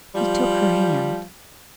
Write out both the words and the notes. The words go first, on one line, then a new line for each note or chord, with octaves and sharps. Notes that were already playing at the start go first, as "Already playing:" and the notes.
He took her hand.
F3 G3